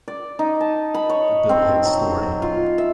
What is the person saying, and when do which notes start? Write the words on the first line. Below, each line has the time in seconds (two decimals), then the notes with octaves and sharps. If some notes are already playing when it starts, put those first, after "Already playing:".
The Bill Hicks Story.
0.08 D5
0.39 D#4
0.61 A5
0.94 B5
1.09 C#5
1.49 C4
1.85 F#3
2.42 F4
2.78 E5